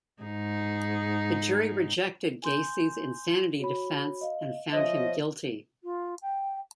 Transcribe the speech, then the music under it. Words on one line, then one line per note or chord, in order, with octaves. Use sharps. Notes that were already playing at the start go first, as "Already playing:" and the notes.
The jury rejected Gacy's insanity defense and found him guilty.
G#2 D#4 G#4
G#5 C6 G6
F#4 C#5 B5
D#5 F5
F3 C5 C#5 D#5 E5
F4
G5